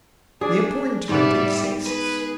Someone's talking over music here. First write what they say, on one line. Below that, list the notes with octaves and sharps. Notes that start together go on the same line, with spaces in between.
The appointment exists.
D4 G#4 D5
G#2 G3 B3 D5 E5 F#5
G#4 B4